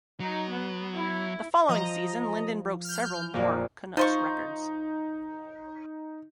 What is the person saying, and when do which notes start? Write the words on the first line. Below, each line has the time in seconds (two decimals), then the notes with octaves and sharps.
The following season, Linden broke several more Canucks records.
0.20 F#3 D#4
0.50 B3
0.98 E4
1.68 F3 D#5 A#5
2.84 F6 G6
3.34 A#1 F2 A#3
3.97 F3 D#4 C5 C#6